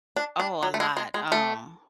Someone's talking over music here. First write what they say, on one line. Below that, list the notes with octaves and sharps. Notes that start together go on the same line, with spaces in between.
Oh, a lot. Um,
D4
D4
F#3
A3
G#3
G#3
G#3
A3